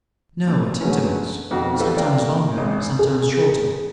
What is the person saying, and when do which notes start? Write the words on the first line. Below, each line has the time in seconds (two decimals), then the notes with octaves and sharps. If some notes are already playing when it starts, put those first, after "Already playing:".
"No, at intervals; sometimes longer, sometimes shorter."
0.47 A#2
0.81 D3 F#3 G#3 A3 B3 C#4
1.51 F2 B2 D#3 F#4
1.79 F4 G4 A4 B4
1.97 A#3 D5 G5
2.57 G#1
2.99 G#4